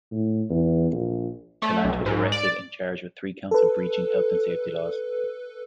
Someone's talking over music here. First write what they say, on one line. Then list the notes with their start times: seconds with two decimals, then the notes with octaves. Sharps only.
Tallant was arrested and charged with three counts of breaching health and safety laws.
0.11 A2
0.50 E2
0.92 A#1
1.62 A3
1.85 B1
2.06 G#2
2.32 D5
3.51 A4 B4